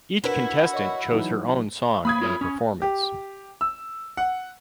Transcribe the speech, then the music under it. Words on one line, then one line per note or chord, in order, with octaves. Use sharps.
Each contestant chose her own song and performance.
D4 E4 F#4 A#4 B4
C#5 D#5 C#6
E3 F#3 D#4
A#3 B5 D#6 G#6
F4 A#4 C#5
C#4
G4
E6
F#5